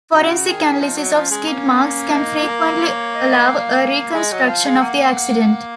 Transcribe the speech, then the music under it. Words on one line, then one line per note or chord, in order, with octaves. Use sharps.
Forensic analysis of skid marks can frequently allow a reconstruction of the accident.
C#3 F#4
D#3 G#4
F3 D#4
F#3
F3 C#4
G#3
A#3 C#4
D#4
A#4
C#5
D#5
F5
G#3 D#5
F#3
F3 F5
G#3
A#3 F#5